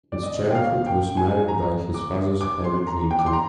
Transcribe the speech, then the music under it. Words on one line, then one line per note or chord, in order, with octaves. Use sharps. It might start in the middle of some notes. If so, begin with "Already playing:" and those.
His childhood was marred by his father's heavy drinking.
D5
D#5
G5
F5
G5
G#5
A#5
D6
D6
C6
A#5
G5
D6
C6
A#5